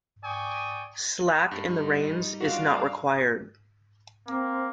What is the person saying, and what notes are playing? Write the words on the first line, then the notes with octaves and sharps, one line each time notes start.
Slack in the reins is not required.
D5 G5 G#5 C#6 D#6
G2 G3 D#4
D4 F4 F#4 F5
A#3 C4